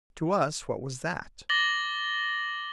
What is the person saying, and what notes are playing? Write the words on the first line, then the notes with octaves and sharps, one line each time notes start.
To us what was that?
D6 A6 A#6 F#7 G7